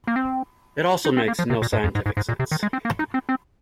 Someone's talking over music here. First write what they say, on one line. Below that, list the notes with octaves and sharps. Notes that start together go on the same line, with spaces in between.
It also makes no scientific sense.
A#3
C4
D#4
C4
A#3
F3
C3
A#2
G#2
F2
G#2
G#2
G#2
A#2
C3
D#3
G#3
C4
A#3
D#4
C4
C4